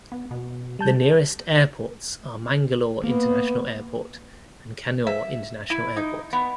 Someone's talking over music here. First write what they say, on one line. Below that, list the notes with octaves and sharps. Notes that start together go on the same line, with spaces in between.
The nearest airports are Mangalore International Airport and Kannur International Airport.
B3
B2
G3 A5 G6
A#3 B3
E5
E4
D#4
B3